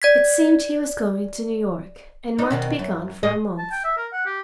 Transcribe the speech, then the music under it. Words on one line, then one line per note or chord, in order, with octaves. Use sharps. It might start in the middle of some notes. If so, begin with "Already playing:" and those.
It seemed he was going to New York, and might be gone for a month.
D5 G#6 B6
D4 D#4
B2 D#3 C4
F#2
A2 G#4 D#5
A5
G5
E5
A#4
F#5
G4